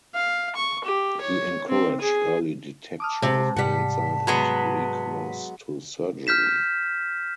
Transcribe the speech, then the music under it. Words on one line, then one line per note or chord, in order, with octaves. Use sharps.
He encouraged early detection of cancer and recourse to surgery.
F5
C#6
G4
C#5
C4
G#4
A5 D6 D#6 F6
C3 G#3
G#2 C3 G3 F#5 B6
F#3 G#3 B3
F6 G6 B6 E7